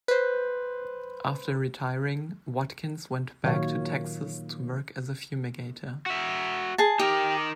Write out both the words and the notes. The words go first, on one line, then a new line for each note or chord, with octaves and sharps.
After retiring, Watkins went back to Texas to work as a fumigator.
B4 C5
A#2 D#3 F#3 C#5 F5
F#4 E5
G#4 A5
D#4 G4 A#4